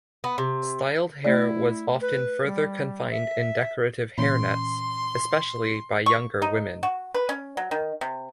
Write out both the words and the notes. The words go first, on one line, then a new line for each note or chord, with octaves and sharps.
Styled hair was often further confined in decorative hairnets, especially by younger women.
B3
C3
A3 E4 D5
B4
G3
E5
A#2 E3 C#4 C6
C#6
D#4
F#4
B4
C#4
F#3
D#3
C3